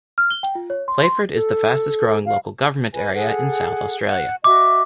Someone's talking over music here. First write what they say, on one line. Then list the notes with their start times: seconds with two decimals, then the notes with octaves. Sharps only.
Playford is the fastest growing local government area in South Australia.
0.18 F6
0.31 G7
0.43 G5
0.55 F4
0.70 C#5
0.88 C6
1.04 C6
1.33 A4
2.26 F5
2.93 B4 G#5
3.15 G#4 A4 F#5
4.07 F#5
4.44 F#4 D#5 E5 D6